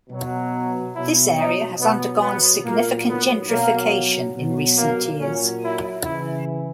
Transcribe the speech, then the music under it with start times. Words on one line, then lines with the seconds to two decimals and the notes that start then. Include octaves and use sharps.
This area has undergone significant gentrification in recent years.
0.10 B2 F#3
0.94 B2 F#3 E4
1.37 D#4
1.80 B2 F#3 B3
2.22 B3
2.64 A#2 F#3 A#3
3.08 B3
3.50 B2 F#3 A#3
4.35 B2 F#3
4.78 A#3
5.20 A#2 F#3 C#4
5.62 E4
6.05 C#3 E3 E4